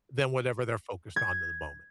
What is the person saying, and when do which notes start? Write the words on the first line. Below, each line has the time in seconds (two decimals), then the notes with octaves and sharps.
than whatever they're focused on in the moment.
1.16 G#6